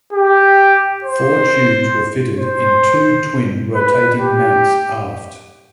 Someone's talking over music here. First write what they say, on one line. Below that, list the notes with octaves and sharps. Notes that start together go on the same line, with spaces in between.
Four tubes were fitted in two twin rotating mounts aft.
G4
C5
C5
B4
G4